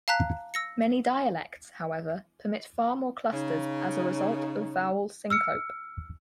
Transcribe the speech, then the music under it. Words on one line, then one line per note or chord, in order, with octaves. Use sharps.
Many dialects, however, permit far more clusters as a result of vowel syncope.
F5 A5 A#5 F#6 B6
E6 A#6 C#7
C#3 D#4
E6 F6 C#7